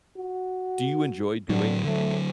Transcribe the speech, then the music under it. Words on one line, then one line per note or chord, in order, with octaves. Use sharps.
Do you enjoy doing
F#4
A2 D3 F#3
D3 F#3 A3